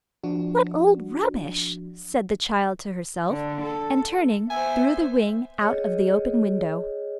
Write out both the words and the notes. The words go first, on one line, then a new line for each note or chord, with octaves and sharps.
'What old rubbish,' said the child to herself, and, turning, threw the wing out of the open window.
F3 D4 F#4
D3
A4
B3 C5 E5 G#5
G#4 C#5 D#5